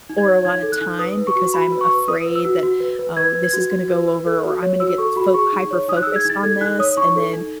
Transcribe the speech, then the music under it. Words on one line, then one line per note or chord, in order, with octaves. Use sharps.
or a lotta time because I'm afraid that, "Oh, this is gonna go over or I'm gonna get fo hyperfocused on this, and then
D#4
G#6
C#5
D#4 G#6
A4
F#6
D#4
B4 D#6
B4
C#6
F#4
F#4 B5
B4
C#6
B4
B4 D#6
B4
E6
F#4
F#4
B4
B4
B4 G#6
B4
G#6
F#4
F#4
B4
B4
A4
F#4
C#5
F#4 E6
A4 C#6
F#4 B5
G#4 C#6
D#4
C#5
D#4 D#6
F#6
G#4 E6
G#6
D#4 A6
A4 G#6
D#4 F#6
C#5 D#6
D#4 C#6
A4
D#4